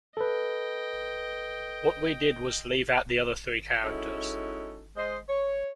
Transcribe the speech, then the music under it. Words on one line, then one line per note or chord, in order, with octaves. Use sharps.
What we did was leave out the other three characters.
A4 B4 D#5 G5
G#3 C#4 D#4 E4 F#4 A4
G#3 C5 D#5
C#5